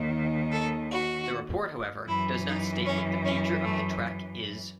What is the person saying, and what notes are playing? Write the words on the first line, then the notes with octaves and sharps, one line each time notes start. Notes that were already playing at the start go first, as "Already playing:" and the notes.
The report however does not state what the future of the track is.
Already playing: D#2 D#3
A4
F#4
F#2 E3 E4
D#4
C#4
C#4
A3